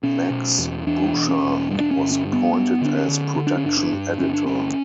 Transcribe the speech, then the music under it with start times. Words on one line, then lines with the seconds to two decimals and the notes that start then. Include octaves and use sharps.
Max Boucher was appointed as Production Editor.
0.03 B2 C#4
0.30 B2
0.59 E2
0.87 E2 D4
1.14 E1
1.29 C#4
1.43 E1
1.71 G2
1.80 D4
1.91 C#4
1.97 G1
2.12 C#4
2.26 G2
2.33 B3
2.53 G2 B3
2.81 D3 D4
2.95 C#4
3.08 D3
3.37 D3
3.47 D4
3.57 C#4
3.65 G1 D4
3.79 D4
3.93 G2
4.19 G1 C#4
4.33 D4
4.46 G1 C#4